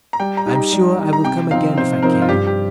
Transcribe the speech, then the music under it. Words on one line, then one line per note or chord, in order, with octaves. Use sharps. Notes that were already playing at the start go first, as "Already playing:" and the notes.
"I'm sure I will come again if I can."
A#5
G3 G5
A#5
D#4 G4
A#5
G3
D#4 G4
A#5
C3 G5
F3 C4 D#4 C5 F5
C3 C5
F3 C4 D#4 A#4 C5
F4
G2 G4
G4